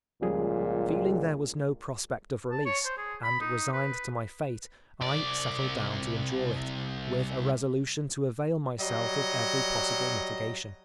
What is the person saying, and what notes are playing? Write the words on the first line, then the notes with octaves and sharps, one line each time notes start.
Feeling there was no prospect of release, and resigned to my fate, I settled down to endure it, with a resolution to avail myself of every possible mitigation.
C#2 A#2 F3 G3 G#4
A5
C#5
C5
G#4
B5
D#4
B4
C2 D5
F#3 G3 D#5